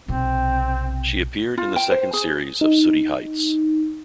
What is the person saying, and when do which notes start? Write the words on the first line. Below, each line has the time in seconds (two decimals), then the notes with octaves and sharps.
She appeared in the second series of "Sooty Heights".
0.08 B1 C3 C4
1.58 F4
1.76 G5
1.91 C5
2.13 G#4
2.61 D#4